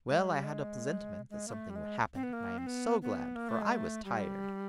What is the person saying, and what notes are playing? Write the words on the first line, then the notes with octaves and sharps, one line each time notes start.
'Well, I had a plesentiment that something would happen, and I am so glad, for I was tired!'
G#3
G3
G#3
G#3
A#3
A3
G3
G#3
C4
B3
A#3
C4
B3
B3
A#3
A3
G#3
A3
G3